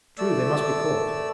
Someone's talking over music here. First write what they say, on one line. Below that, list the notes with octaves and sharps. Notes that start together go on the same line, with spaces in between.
'True, they must be caught!'
A3 D5 E6